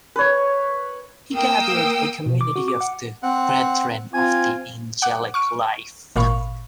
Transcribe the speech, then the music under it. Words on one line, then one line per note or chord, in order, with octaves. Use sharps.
He gathered a community of the "Brethren of the Angelic Life".
B4 C#5
A#3 G5 D#6 E6
B2
D6
F#4
D6
F#5
C4 F#5
C4 F4 G#5
F#5 D6 F#6
C#6 F6 D7
G#1 A#2 F5 B5 C#6